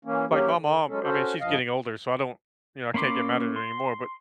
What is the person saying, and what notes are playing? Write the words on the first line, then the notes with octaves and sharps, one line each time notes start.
Like my mom, I mean, she's getting older, so I don't, you know, I can't get mad at her anymore, but
E3 A#3 C#4
F#3 A#3 C#4 G4
D3
F#3 G#3 C#4 A4
C#4 F#4 A4 C5
G2 F3 D#5 F5
A#3 C#4 B5 C6 D6
C6